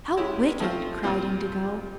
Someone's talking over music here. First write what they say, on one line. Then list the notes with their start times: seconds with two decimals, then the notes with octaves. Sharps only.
"How wicked!" cried Indigo.
0.17 G#3 C#4 E4 G4
0.60 F3 A3 C4 F4
1.03 A#2 G3 C4 F4